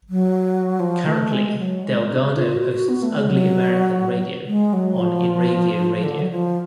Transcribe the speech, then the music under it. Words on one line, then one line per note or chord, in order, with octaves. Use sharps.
Currently, Del Gado hosts "Ugly American" Radio on Inravio Radio.
F#3
F3
A3
G#3
F#3
G#3
D4
F4
F#4
F#4
B3
A3
G#3
F#3
G#3
F#3
F3
D3
F#3
F3